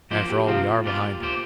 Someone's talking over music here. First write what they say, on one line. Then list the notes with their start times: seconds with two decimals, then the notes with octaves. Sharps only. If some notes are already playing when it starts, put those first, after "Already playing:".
After all, we are behind him.
0.11 F3 A#3 F4 G4 C5
0.30 G4
0.47 F2 C3 F3 C4 F4
0.84 A#2 G3 D4 F4
1.20 A#2 A#3 G4 C5